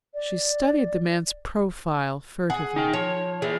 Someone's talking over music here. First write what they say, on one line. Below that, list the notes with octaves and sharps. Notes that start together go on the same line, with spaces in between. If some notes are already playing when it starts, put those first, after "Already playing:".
She studied the man's profile furtively.
D5
G#4 F#5
D#4 G5
F3 C#5
E3 G#4 D5